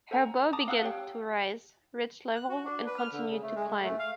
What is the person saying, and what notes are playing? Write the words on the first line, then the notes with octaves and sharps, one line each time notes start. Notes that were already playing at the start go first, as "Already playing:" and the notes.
Her bow began to rise, reached level, and continued to climb.
A4 C5 F#5 G#5 A#5
A5 A#5 D6 D#6
C4 F5 F#5 D#6 E6 F#6
G4 C#5 G5
F#6
F#4
D4
B4
F6
D3
C#3
A3
G#3
G#3
A3
F5